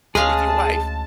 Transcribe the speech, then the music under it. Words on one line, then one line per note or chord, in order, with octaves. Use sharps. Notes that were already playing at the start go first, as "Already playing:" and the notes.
With your wife.
D2 G#3 C#4 G#4 F5 A5